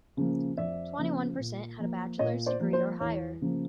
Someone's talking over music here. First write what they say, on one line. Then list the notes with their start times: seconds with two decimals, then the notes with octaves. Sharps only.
Twenty-one percent had a bachelor's degree or higher.
0.17 C#3 F3 A#3
0.57 F2 D5 E5
0.98 C#3 F3 A#3
1.38 A#2
1.79 F3 A#3
2.19 A#2 C#5 D#5
2.46 C5 D5
2.60 F3 A#3
2.73 C5
3.00 E2 C#5
3.41 C#3 F3 A#3